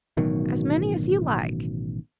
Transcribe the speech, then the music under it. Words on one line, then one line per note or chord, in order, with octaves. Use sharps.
"As many as you like."
A1 B2 D#3 F#3